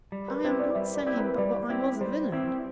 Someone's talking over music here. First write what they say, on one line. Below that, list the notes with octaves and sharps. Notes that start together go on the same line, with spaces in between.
I am not saying but what I was a villain.
G3
B4
C4 E4 G4 C5
D5
G3 E5
D5
C4 E4 G4
B4
G3 D5
C4 E4 G4
G3 C5
C4 E4 G4